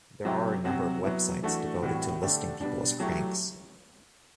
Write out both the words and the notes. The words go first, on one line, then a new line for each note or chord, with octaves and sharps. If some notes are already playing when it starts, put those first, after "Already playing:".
There are a number of websites devoted to listing people as cranks.
C3 F#3 C4 E4 G4
C3 F#3 C4 F#4
F#3 B3 E4
E3 A3 D4 F#4
A2 E3 G3 C4 F#4
D3 A3 D4 G4
B2 G3 D4
F#3 A3 E4 G4